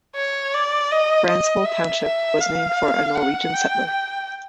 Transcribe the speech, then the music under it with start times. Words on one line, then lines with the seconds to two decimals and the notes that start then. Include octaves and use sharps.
Brandsvold Township was named for a Norwegian settler.
0.16 C#5
0.54 D5
0.92 D#5
1.28 D#5
1.65 E5
2.04 E5
2.40 F5
3.16 F#5
3.53 G5
3.90 G5